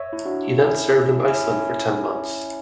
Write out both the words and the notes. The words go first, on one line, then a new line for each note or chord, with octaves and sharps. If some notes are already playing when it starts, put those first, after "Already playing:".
He then served in Iceland for ten months.
Already playing: C#5 E5
E4
D4 F#4
C#4 E4
C#4 E4